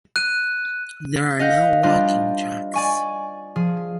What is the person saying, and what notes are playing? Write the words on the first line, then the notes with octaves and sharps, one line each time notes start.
There are no walking tracks.
F#6 D#7
D#5 F5 F#5 G6 A#6 B6
G3 D4 F4 C5 D5 D#5
D5 G#5 C#6
F3 G#4